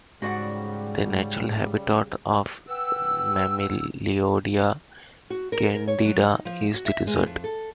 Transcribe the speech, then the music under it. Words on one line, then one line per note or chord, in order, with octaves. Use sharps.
The natural habitat of "Mammilloydia candida" is the desert.
G#2 C#3 G3 F#4 D5 F#5
B4 F#5 G5 E6
F#4
A#4
A#4
C#5
F#3
D#4
F3
F#4
E5
G#3
F2
A4